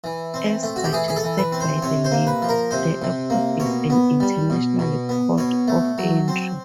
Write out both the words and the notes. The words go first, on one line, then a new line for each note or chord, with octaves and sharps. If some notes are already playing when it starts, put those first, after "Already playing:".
As suggested by the name, the airport is an international port of entry.
E3
C4
A3
F#4
G4
E3 G#4
G#4
A4
E3
B4
C4
C5
C3 C#5
C5
A#3
B4
F3
A#4
C3 C5
C3
A#3
B2 C#5
B3
G3
B2
B2
B3
B2 C#5
A3
F#3
C4